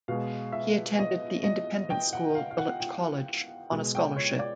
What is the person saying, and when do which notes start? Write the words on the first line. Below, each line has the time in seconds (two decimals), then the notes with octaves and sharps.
He attended the independent school Dulwich College on a scholarship.
0.08 B2 G#3 F5
0.52 E5
0.99 D#5
1.44 D#5
1.90 G5
2.13 F#5
2.35 F5
2.51 F5
2.58 F#5
2.80 G5
3.71 B2 G#3
3.95 G5
4.16 C#5
4.39 D5